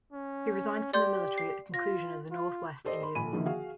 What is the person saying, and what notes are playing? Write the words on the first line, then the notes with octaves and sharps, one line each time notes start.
He resigned from the military at the conclusion of the Northwest Indian War.
C#4
G4 D5 C6 G6
C7
F4 A#6
F4
G4 A4 C5 D5 D#5
A#4 B5 C6
A#1 G#5 B5 D#7
D3 D#3 F3 A#3 E4
F#4 G#4 F5